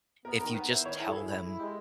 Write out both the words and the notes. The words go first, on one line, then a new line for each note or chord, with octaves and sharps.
if you just tell them,
B3 A#4
D#3 A#4
B3 B4
E4 C5
D#3 C#5
E4 G#4
A4
E4 G#4
E4
E4
G#3 G4